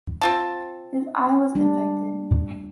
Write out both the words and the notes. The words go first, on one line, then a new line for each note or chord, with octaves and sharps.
His eye was infected.
C4 F4 A5
G3 D4